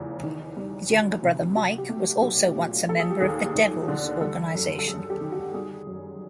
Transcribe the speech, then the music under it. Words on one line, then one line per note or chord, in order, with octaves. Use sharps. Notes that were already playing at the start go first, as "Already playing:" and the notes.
His younger brother Mike was also once a member of the Devils organization.
Already playing: F1 E2 C#3 F3
D#3
G3
D2
C3
F#3 F#4
G4
A3
F#4
B1 G4
A#2
F3 A4
G#4
G4
D#2 G#4
D#2
D3
G3 A4
F#2
A4
F#2 G#4
G4
D#3
F#4
G3 G#4
F#2